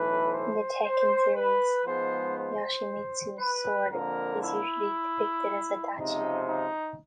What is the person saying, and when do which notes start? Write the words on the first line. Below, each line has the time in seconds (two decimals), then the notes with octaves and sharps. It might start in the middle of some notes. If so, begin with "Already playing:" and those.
In the "Tekken" series, Yoshimitsu's sword is usually depicted as a tachi.
Already playing: B1 A2 E3 B4
0.32 C5
0.83 C5
1.34 B4
1.85 G#2 F3 G#3 B3 C5
2.36 C5
3.39 B4
3.90 F2 D3 F3 A#3 A#4
4.42 E4
5.96 C#2 C3 F3 D#4
6.47 D#4